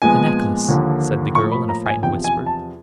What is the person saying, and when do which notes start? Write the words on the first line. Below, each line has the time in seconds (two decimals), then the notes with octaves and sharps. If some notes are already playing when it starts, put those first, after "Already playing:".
"The necklace," said the girl, in a frightened whisper.
0.02 A#2 F3 G#3 B3 G#5
0.68 D#2 D3 F3 A#3
1.35 A2 F3 A#3 C#6
1.52 B5
1.69 A#5
1.86 G#5
2.02 E2 C3 F3 G5
2.24 G#5
2.46 A5